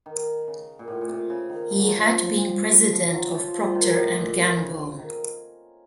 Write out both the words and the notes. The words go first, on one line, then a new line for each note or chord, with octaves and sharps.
He had been president of Procter and Gamble.
D#3
C#3
A#2
A2
A#2
C3
C#3
D#3
F3
F#3
F3
F3
F#3
F3
F3
D#3
A2
A#2
A#2
C3
C#3
D#3